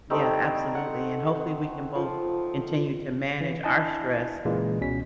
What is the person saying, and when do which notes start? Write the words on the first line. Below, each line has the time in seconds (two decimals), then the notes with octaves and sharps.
Yeah absolutely, and hopefully we can both continue to manage our stress
0.10 G3 A3 C4 D#4
0.75 F#5
1.95 F3
3.41 E3
3.64 D4 E4 D#5 G#5 A5
4.45 A#2 C#3 E3 G#3 A#3
4.80 C#2 B2 C#4 B6